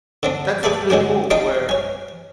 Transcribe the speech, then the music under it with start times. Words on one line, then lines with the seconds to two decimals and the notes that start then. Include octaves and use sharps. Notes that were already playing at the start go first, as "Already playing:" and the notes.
That sounds really cool, where
0.23 D3 C4 D4
0.63 G4 G#4 B4 D5 A5
0.90 D3 G#3 C#4 G4
1.30 D4 D#4 F4 D#5 F5 G5
1.69 C#5 G#5